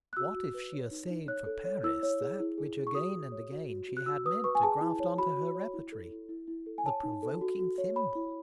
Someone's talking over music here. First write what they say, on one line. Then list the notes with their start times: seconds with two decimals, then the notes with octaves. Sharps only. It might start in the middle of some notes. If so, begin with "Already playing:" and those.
What if she essayed for Paris that which again and again she had meant to graft on to her repertory--the Provoking Thimble?
0.13 F#6
0.17 F#4 E6
0.36 F#4
0.54 B4
0.73 C#5
0.91 D#4
1.10 D#4
1.28 C#5 F#6
1.46 A4
1.65 C#5
1.83 E4 E6
2.03 C#5
2.21 G#4
2.40 E4
2.58 G#4
2.77 G#4
2.87 C#6
2.95 F#4 D#6
3.13 F#4
3.32 C#5
3.51 F#4
3.69 F#4
3.89 F#4
3.97 F#6
4.06 F#4 E6
4.25 B4 D#6
4.44 B4 C#6
4.55 G#5
4.63 G#4 A5
4.81 E4
5.00 C#5
5.18 F#4 B5
5.37 F#4
5.55 C#5
5.74 E4
5.92 A4
6.12 E4
6.29 E4
6.48 E4
6.66 A4
6.78 G#5
6.86 C#5 A5
7.03 D#4
7.23 A4
7.41 F#4
7.59 F#4
7.78 C#5
7.96 C#5 B5
8.15 E4